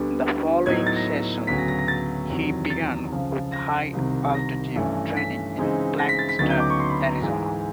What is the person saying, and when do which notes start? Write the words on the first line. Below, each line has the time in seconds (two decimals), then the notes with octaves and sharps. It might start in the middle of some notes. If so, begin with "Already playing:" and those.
The following season, he began with high altitude training in Flagstaff, Arizona.
Already playing: D2 D3 G3 B3
0.66 A2 F#3 B3 D#4 G#6
0.76 G#6
0.87 A6
0.96 A#6
1.47 D2 C#3 F#3 B3 B6
1.58 A#6
1.68 A#6
1.79 A#6
1.88 A6
2.30 E2 C3 D#3 F#3
2.70 A6
3.11 C#2 C#3 F3
3.52 A#6
3.93 C2 C3 D#3
4.35 A#6
4.76 G2 E3 A3 C#4
5.17 B6
5.57 C#3 E3 G#3 C4 D#4
5.98 A#6
6.09 B6
6.19 A6
6.29 B6
6.39 D2 C#3 F#3 B3 D#4 A6
6.50 G6
6.60 D6
6.70 C#6
6.80 C6
6.90 B5
7.01 A#5
7.12 A#5
7.21 G#2 E3 G#3